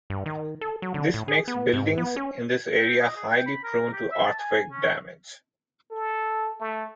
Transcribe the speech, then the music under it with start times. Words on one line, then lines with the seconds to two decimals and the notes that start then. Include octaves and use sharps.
This makes buildings in this area highly prone to earthquake damage.
0.10 G2
0.26 D#3
0.61 A4
0.82 F#3
0.94 D3
1.14 A2
1.28 G#4
1.48 B3
1.73 G#2
1.98 B3
2.16 C#4
2.77 C4
3.00 D#5
3.16 G#4
3.32 G5
3.46 B5
3.63 A#4
3.93 G4
4.11 E5
4.26 A5
4.39 G#5
4.72 C#4
5.91 A4
6.60 A3